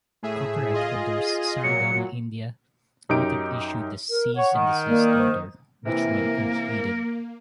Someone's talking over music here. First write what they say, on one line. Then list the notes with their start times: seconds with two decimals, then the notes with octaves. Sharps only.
Copyright holders Saregama India, Limited issued a cease-and-desist order, which went unheeded.
0.23 A2 G#4 E5
0.74 F4 G#4 D#5
1.64 A#2 F#3 C#7
3.09 F#2 D#4 G4 D7
4.10 A#4
4.36 C#5 F#5
4.54 D#3
4.88 A#3 D5
5.17 C5
5.85 C3 E3 A#3 E4 A#4